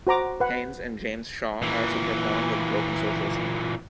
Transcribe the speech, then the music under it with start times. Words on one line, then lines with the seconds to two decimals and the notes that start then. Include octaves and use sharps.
Haines and James Shaw also perform with Broken Social Scene.
0.07 F#4 C5 A#5 D6
0.40 B4 F#5
1.62 A#2 E3